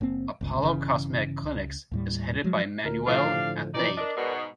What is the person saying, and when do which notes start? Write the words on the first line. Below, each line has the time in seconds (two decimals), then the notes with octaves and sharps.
Apollo Cosmetic Clinics is headed by Manuel Athayde.
0.01 F#1 A#3 C4
0.41 G1 C#2
0.63 G1 C#3 E3
1.44 C#2
1.91 D#2 A2 G3
2.44 F3 F#3 G#3
2.84 D2 A#4
3.07 A2 D3 F3 D4 G4 F5
3.74 B2 E3 F3 D#4 D5
3.97 D4 A#4 D5 D#5
4.16 G#2 B2